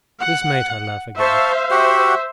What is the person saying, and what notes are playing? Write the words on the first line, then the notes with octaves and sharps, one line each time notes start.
This made her laugh again.
F#5
C5 E5 F5 A5 C#6
F#4 G4 C5 E5 F#5